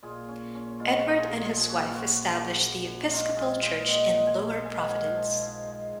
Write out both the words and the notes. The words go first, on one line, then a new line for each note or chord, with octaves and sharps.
Edward and his wife established the Episcopal church in Lower Providence.
A#2 F4 G#4
C#4
C#4
G#3 F4
F#4
G#3
F4 G#4
A#2
F4
F3 G#4
F#4
F#2 F4
F#4
F#2
A#3
F#2
F#2
G#3 F4
G#3 F4 G#4
A#2 G#4 C5
C4 D#5 F#5
G#3
F5 G#5
G#3
G#2 G#5
F#5
G#2 F5 G#5
F3
G#2
G#3